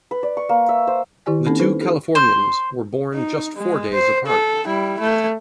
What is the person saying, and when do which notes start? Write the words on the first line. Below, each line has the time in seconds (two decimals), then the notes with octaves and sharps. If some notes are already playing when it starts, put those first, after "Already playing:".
The two Californians were born just four days apart.
0.11 B4
0.23 D5
0.37 C#6
0.49 A#3
0.69 E5
0.87 C5
1.26 D#3 E4 G4 D5 G#5
1.46 A#3 C4 C#4 D#4 A4
1.59 D#4 E4 A4 B4 C5
1.81 D#4 G4 A4
2.15 C5
3.14 D#4
3.57 G#3
3.94 C5
4.26 A4
4.66 G3 E4
5.00 A3